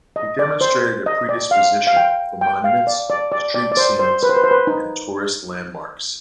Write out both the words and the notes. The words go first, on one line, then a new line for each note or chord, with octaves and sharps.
He demonstrated a predisposition for monuments, street scenes, and tourist landmarks.
D#5
D5
C5
D#5
D5
F5
F5
G5
G5
F5
D5
D5
D5
D5
D5
C5
C5
B4
C5
B4
C5
B4
D#4